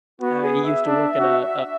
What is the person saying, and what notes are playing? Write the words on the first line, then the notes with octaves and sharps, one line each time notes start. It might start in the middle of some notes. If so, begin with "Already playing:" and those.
I used to work at a
B3 F#4
G#4
E5
D4
F#4